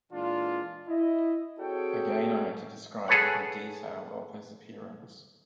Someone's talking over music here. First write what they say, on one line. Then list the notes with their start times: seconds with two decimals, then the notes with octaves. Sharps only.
Again I had to describe every detail of his appearance.
0.12 A#2 E3 G#3 D4 F4
0.88 E4 D#5
1.60 C4 F#4 G#4 A4 C#5 G5
3.08 G#4 A4 B4 C#5 F#5